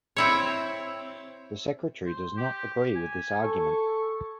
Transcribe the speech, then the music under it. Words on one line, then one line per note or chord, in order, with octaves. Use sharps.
The Secretary does not agree with this argument.
C4 E4 C#5
C5
G4
G#5
A4 C#6